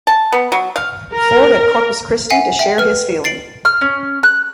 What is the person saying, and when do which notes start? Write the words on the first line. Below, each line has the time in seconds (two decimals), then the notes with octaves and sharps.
Ford at Corpus Christi to share his feeling.
0.07 A5
0.32 B3
0.52 F#3
0.76 F5
1.14 A#4
2.30 E5 F#5 G#5 C7
2.59 E5 G5
2.78 B4 F6
3.24 A6 C7 D7 F#7
3.65 F6
3.81 C#4
4.23 F#6